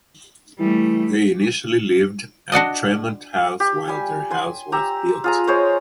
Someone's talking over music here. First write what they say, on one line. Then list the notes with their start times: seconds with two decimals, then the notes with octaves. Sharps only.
They initially lived at Tremont House while their house was built.
0.59 E3 G3 A3
2.52 D4 F#4 D5 D#5
3.60 G4
3.88 G3 G#5
4.31 G#5 C6
4.72 G4 A#5 E6
5.24 F4 G#4 A#5
5.47 G#3 C5 C#5 C6